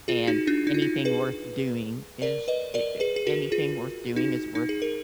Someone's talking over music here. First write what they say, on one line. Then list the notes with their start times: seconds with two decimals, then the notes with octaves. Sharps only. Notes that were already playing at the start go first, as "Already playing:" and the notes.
And anything worth doing is, eh eh, anything worth doing is worth
0.08 F4 G#4
0.27 D#4 F#4
0.47 D4 F4
0.67 D#4
0.74 F4
0.82 D#4
1.05 G#4 B4
2.22 A#4 D5
2.48 B4 D#5
2.74 A#4 D5
3.00 G#4 B4
3.16 G#4
3.27 F#4 A#4
3.52 F4 G#4
4.16 D#4 F#4
4.55 D#4
4.69 G#4
4.82 A#4